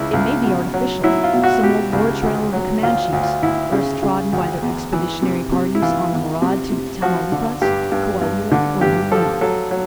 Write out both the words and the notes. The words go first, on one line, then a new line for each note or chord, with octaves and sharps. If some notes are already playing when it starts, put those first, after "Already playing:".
It may be artificial: some old "war-trail" of the Comanches, erst trodden by their expeditionary parties on the maraud to Tamaulipas, Coahuila, or New Leon.
Already playing: C#2 E4
C#2
B2
F#3
F#3 E4
F4
B2
F#4
B2 G4
C#2
D2
F#3
D2 F4
D2
F4
D2 E4
C#3
C#3
D2
E2
E3
C3
C3
E4
E3 F4
E2
C3
C3
F3 F#4
D3
G2 G4
G2
G2
D3
G2 G4
F3 A4
F#3 A4
F#3